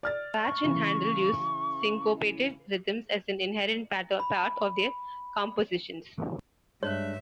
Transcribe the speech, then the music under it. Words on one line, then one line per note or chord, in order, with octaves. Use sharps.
Bach and Handel used syncopated rhythms as an inherent part of their compositions.
D5 F6 A6
C#6
C#3 E3
B5
G2 G#3 D4 C#5 E5 F#6